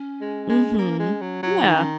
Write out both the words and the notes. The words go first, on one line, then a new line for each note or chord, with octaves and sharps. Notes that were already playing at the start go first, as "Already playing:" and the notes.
Mhm. Yeah.
Already playing: C#4
G#3
G#3
A#3
G#3
F#3
F#3
D#3 D#4
C#4